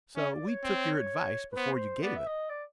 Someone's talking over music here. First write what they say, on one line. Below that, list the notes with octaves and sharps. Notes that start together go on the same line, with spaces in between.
So we took your advice before you gave it.
C#4 E5
C#5
D5
C#5
C4
B4
B3 C5
B3 D5
E5
D#5
D5